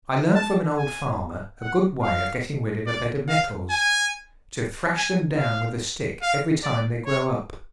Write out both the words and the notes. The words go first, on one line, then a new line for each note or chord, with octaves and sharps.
I learnt from an old farmer a good way of getting rid of a bed of nettles--to thrash them down with a stick every time they grow up.
A5
G#5
F#5
F5
D5
F5
G#5
G#5
F5
F5
D5
C#5